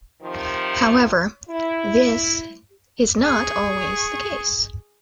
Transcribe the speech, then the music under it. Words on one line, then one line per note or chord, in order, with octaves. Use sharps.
However, this is not always the case.
C3 D#3 F3
E4
G#4 C#6